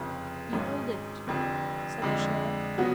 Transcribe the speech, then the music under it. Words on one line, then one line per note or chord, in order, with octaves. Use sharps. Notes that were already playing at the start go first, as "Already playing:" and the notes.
"Behold it," said the sheriff.
Already playing: F1 F2 C#3
G#1 G#2 G#3 C#4
F1 F2 D3
F2 D3 G#3
C#3 F#3 B3 F#4